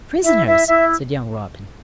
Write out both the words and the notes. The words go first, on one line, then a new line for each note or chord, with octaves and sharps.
"Prisoners!" said young Robin.
E4 E5
E4 E5
E4 E5